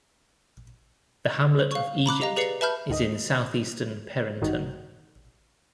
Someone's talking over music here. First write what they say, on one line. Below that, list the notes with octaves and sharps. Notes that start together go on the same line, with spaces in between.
The hamlet of Egypt is in southeastern Perinton.
F5 C#6
A#5 B5 D6 F#6
G4 D#5 F5 A#5
G4 G#4 B4 D5 C7 C#7
B4 E5 A5 B5 F6 G6
D2 G#2 D#3 D#5
A1 G2 D#3 G3 D#4 F#4